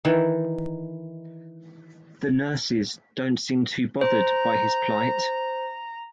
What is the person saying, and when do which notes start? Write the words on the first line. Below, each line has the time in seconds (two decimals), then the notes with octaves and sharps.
The nurses don't seem too bothered by his plight.
0.05 D#3 E3
4.01 C5 A#5